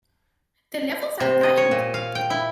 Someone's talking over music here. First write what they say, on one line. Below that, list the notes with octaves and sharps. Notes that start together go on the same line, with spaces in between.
The levels are timed.
C3
D#5
C#5
A#2
F5
G5
E4